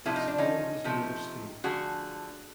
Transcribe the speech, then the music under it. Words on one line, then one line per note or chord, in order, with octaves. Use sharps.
Its hull was made of steel.
C3 F3 A3 E4
D#4
D4
C#4 D#4
C3 F3 A3
D3 F3 A3 F#4 G#4